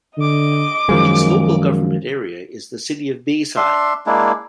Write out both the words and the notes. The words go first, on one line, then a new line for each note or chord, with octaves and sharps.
Its local government area is the City of Bayside.
D3 D#5 D6
F#2 D#3 F3 G#3
D4 E5 C6
G#3 A#3 D4 E4